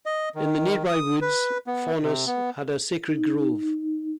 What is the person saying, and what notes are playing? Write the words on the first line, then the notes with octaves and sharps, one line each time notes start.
In the nearby woods, Faunus had a sacred grove.
D#5
D#3
D#6
B4
B3
C3
B3
D#4